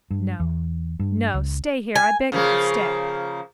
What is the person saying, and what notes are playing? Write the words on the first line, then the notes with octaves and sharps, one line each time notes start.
No, no. Stay here, I beg of you, stay.
G2
E2
G2
C#2
G#5
C#3 F3 A#3